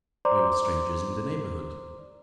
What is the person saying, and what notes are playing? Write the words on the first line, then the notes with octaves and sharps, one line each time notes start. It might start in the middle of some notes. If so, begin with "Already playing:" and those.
We were strangers in the neighbourhood.
C5 D5 A#5 C6 D6